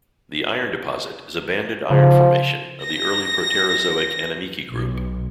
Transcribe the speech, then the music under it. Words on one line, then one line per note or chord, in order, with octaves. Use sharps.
The iron deposit is a banded iron formation of the Early Proterozoic Animikie Group.
C#3 F3
A#6
B1